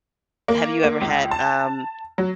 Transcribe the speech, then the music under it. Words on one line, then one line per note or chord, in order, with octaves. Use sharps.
Have you ever had, um,
A#3
A#3
C#2
A5
F#3